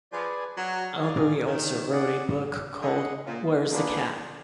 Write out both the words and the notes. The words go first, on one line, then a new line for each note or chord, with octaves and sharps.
Albery also wrote a book called Where's the Cat?
F3 G#4 B4 D5 G#5
F#3
G#4 D5 F5 G#5
D#3
G#4 D5 F#5
D3 G#4 D#5 F#5
A#2
B2 A#3 D4 F4 G#4 B4